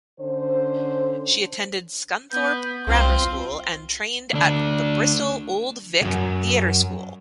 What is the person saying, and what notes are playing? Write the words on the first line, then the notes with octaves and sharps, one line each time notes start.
She attended Scunthorpe Grammar School and trained at the Bristol Old Vic Theatre School.
D3 C#4 C5
B3 G6
C2 C4 F4 F5
D2 D4
C#2 F#2